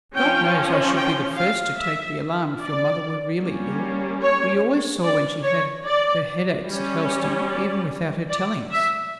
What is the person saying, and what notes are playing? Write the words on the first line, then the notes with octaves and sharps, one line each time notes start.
God knows I should be the first to take the alarm if your mother were really ill; we always saw when she had her headaches at Helstone, even without her telling us.
F3 C#4 G5
G5
F5
E5
D5
G3 A#3 C#4
C#5
D5
C#5
D5
G3 C#4
D5
D5
E5